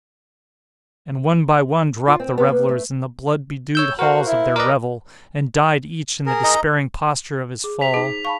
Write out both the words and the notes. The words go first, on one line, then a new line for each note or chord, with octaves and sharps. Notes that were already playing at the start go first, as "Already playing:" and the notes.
And one by one dropped the revellers in the blood-bedewed halls of their revel, and died each in the despairing posture of his fall.
F4
C4
B3
A#3
A3
C#5 E6 G6
F#4 A#4 C5 F5
E4
A#4 B4 D5 D#5
G#4 A#4
D#5 A#5
G#4 D6
C5 B6 F7
D#4 G#4
F5 A5 B5 C#6